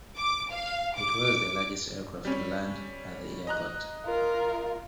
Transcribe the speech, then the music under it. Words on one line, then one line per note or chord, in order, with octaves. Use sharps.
It was the largest aircraft to land at the airport.
D6
F5
D6
G3 C#4
D#5 A#5 F#6
F4 A#4